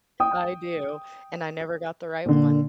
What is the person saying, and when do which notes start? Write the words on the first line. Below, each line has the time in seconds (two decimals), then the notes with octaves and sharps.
I do, and I never got the right one.
0.20 G5 D#6
2.26 A#2 D3